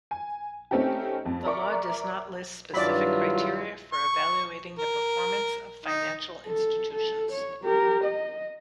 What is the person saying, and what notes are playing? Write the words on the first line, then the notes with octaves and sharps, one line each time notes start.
The law does not list specific criteria for evaluating the performance of financial institutions.
G#5
A3 C4 C#4 D#4 G4
F2
A#4 D5 E5 A#5 C#6 D6
G2 D#3 F#3 E4 F4 D5 B5
C#6
A#4
D#4
A4
A4
C#5
G4 A#4
D#5